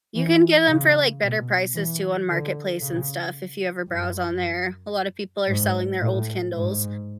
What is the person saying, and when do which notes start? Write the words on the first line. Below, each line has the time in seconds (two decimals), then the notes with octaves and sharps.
You can get 'em for, like, better prices, too on Marketplace and stuff if you ever browse on there; a lotta people are selling their old Kindles.
0.15 E3
0.68 C#3
1.22 B2
1.75 E3
2.28 D3
2.81 C#3
3.88 F#2
5.48 G#2
6.01 A2
6.53 G#2